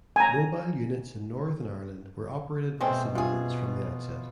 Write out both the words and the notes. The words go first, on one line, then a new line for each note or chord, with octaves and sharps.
Mobile units in Northern Ireland were operated by civilians from the outset.
G#5 A#5
B2 G#3 A3 C4
C3 F4 G#4